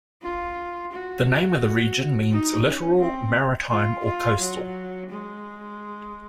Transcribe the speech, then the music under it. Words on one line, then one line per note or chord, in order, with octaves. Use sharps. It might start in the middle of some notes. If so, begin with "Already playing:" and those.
The name of the region means Littoral, Maritime or Coastal.
F4
F#4
D#4
C#4
C4
F4
F4
F#3
G#3